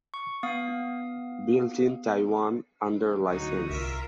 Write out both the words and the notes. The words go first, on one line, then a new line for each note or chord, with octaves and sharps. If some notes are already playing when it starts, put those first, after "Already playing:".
Built in Taiwan under license.
C#6
B3 F5 D#6
D2 F#3 D#4 F#4 C#6 D#6
C2 F4 A#4 E5